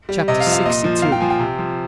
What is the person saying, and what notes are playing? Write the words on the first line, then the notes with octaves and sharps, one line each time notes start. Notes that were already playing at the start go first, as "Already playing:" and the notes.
Chapter LXII.
G3
C3 D#5
F5
F3
F5
A#2 D#5
F3
A#2 F5
G5
F3 G#5
G5
C3
F3